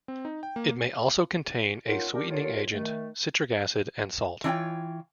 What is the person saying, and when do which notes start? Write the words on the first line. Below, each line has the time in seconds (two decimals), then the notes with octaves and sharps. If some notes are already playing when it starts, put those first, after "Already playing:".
It may also contain a sweetening agent, citric acid and salt.
0.08 C4
0.25 D#4
0.43 G5
0.56 A#3
1.85 A#3 C#4 D#4 F4 A#4 F#5
2.13 G3 D4 G4 A#4
2.29 D#2 D3 F4 C#5
2.72 D#3 A3
4.44 E3 D4 F4 C#5 G5